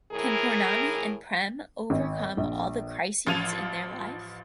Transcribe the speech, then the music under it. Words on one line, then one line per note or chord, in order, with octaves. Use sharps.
Can Pournami and Prem over come all the crises in their life?
A2 E3 G#4 A#4
G#1
A#1
A1 F3 F4 G#6 D#7 F7